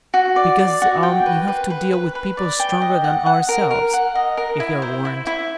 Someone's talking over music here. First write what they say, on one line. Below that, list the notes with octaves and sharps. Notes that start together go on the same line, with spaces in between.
"Because you have to deal with people stronger than ourselves, if they are warned."
F#4
D5
D5
F#4
G5
B4
B4
B4
B4
B4
D5
G5
D#5
F#5
F#5
A#4
A#4
F#5
D#5
A#4
E4
C5
E4
E4